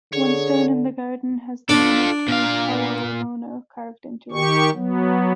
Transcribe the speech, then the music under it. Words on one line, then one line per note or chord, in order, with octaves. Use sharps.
One stone in the garden has the name of two "kawaramono" carved into it.
D3 G#4 C#5
D4 F4 A4
A#2 F5
D#3 G4 C#6
F#3 B3